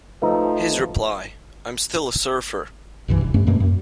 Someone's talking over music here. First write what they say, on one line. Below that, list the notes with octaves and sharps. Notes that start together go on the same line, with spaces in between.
His reply: I'm still a surfer.
F3 A3 D#4 B4
B1 G2 C3 E3
D#1
G2 A3 C#4
F#2 B2 A3 A#3
F#2